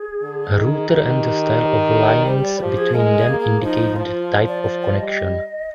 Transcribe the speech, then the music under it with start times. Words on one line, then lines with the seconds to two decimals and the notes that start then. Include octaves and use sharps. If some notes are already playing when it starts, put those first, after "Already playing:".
Router, and the style of lines between them indicate the type of connection.
Already playing: G#4
0.22 D3
0.55 D#3
0.90 D#3 G4
2.17 D5
2.25 G3 C5
2.38 C5
2.42 D5
2.60 F3 G4
2.77 G#4
2.93 G#3 A#4
3.17 G#4
3.28 A#3
3.39 G#4
3.61 F3 D#4
3.96 F3 F4
4.48 D5
4.63 D5
4.81 D5
4.98 G3 D#5